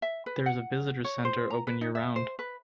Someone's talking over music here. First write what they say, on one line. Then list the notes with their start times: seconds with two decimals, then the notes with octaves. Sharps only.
There is a visitor center open year-round.
0.02 E5
0.26 B4
0.46 F#5
1.04 C#5
1.25 C5
1.50 A#5
1.67 B4
1.81 D#4
1.95 E5
2.16 C5
2.39 B4